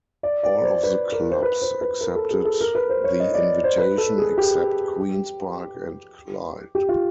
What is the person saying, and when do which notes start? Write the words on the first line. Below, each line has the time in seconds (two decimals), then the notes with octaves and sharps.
All of the clubs accepted the invitation, except Queen's Park and Clyde.
0.23 D5
0.43 D5
0.63 C5
0.83 B4
1.12 A#4
1.31 C5
1.43 B4
1.62 C5
1.81 B4
2.01 A#4
2.16 A4
2.31 G#4
2.45 A4
2.61 A#4
2.75 B4
2.89 C5
3.04 C#5
3.20 D#5
3.34 D5
3.64 C5
3.78 B4
3.98 A4
4.18 G#4
4.38 G4
6.75 G4
6.89 F4